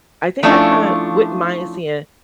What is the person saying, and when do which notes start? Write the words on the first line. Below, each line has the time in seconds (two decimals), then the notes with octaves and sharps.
I think I kinda wouldn't mind seeing
0.43 F3 A3 C#4 D4 E4 F4